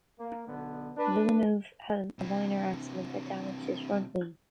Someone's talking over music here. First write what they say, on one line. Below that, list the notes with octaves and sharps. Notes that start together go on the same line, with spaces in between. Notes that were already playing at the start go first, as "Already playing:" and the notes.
Villeneuve had a minor accident that damaged his front wing.
A#3
B1 D3 B3
D4 B4
C3 E3